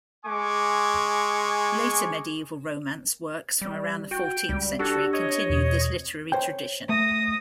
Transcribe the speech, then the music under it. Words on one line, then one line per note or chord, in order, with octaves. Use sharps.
Later medieval romance works from around the fourteenth century continued this literary tradition.
G#3 G#5 C#6 D6
G3
F#4 G5
C#2 G3
D4 F#4 G4 A4 G#6
C#5 D#5
E2 B2
C5 C#5 G5
A3 D#6 A#6